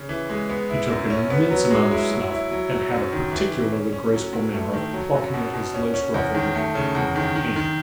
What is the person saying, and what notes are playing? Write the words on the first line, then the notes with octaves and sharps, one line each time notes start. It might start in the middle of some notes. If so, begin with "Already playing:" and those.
He took an immense amount of snuff, and had a particularly graceful manner of plucking at his lace ruffle with the back of one hand.
Already playing: C#3
E3
G#3
B3
E4
F#2
C#4
B3
F#3
G#3
E4
F#3
E4
F#3
F#3
F#2
D#3
E3
E3
C#4
C#4
F#3
A2
A3
D#3
F#3
F#2
B2
B2
C#4
C#4
E2
D#3
A3
C#3
E2
D#3
D#3
D#3